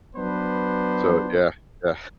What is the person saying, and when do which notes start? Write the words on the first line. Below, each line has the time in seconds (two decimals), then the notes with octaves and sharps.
so yeah, yeah.
0.16 F#3 B3 D4 B4 C5